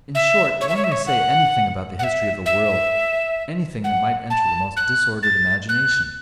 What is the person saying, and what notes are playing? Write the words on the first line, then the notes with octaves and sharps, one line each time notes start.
In short, one may say anything about the history of the world--anything that might enter the most disordered imagination.
E5
C#5
E5
C#5
E5
C#5
F#5
F#5
E5
E5
F#5
A5
F#6
A6
F#6